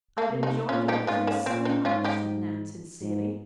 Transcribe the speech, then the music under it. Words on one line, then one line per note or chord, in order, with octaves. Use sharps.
"I've enjoyed your visit so much," said Nan sincerely.
A#3
C3
C4 D#4
A#2 C#4 F4
D#4 G4
G#2 C#4 F4
A#3 C#4
A#2 C4
C4 D#4
G#2 C#4 F4
D#4 G4
G#2